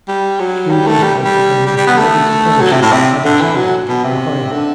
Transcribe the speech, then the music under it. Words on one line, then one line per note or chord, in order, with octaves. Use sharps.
Three years later, they moved to Liberty Township, Adams County, Ohio.
G3
F#3
G3
A3
G3
G3
G3
G3
B3
A3
F#3
C3
A2
C3
D3
E3
F#3
B2
C3
D3